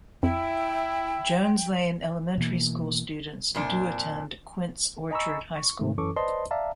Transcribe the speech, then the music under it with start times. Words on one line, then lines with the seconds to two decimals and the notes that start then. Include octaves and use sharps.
Jones Lane Elementary School students do attend Quince Orchard High School.
0.23 F2 E4 G5
2.38 B2 E3 A#3
3.55 F2 A#2 D4
5.11 D#5 G#5 A#5 B5 C#6 E6
5.56 C#6
5.79 G#2 D#3 A3
5.98 F#2 E3 C#4 A4 C#6 D6
6.16 B4 C5 D5 D#5 A5 C6
6.51 D5 E5 F5 A5 A#5